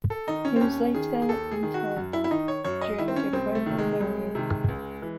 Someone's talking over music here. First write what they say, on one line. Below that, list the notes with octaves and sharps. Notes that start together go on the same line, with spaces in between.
He was later interred during a private burial.
A4
D#3 D#4
C#4
C4
D#2 C#4
D#3 G#4
G#4
D#2 A4
G#4
D#3
F#4
F#2
E4
E4
D#3 D#4
C#5
F#2 C#5
D#5
D#3 E4
C4
C#4
C2 C4
A3
C3 D#3
G#3
C2
C3 D#3
C#2
E3